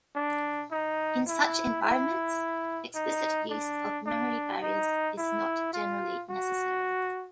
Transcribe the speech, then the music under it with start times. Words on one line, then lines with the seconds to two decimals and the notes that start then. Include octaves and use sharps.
In such environments explicit use of memory barriers is not generally necessary.
0.15 D4
0.71 D#4
1.27 E4
1.83 E4
2.94 D#4
3.50 D4
4.06 D4
4.62 D#4
5.18 E4
5.73 F4
6.29 F#4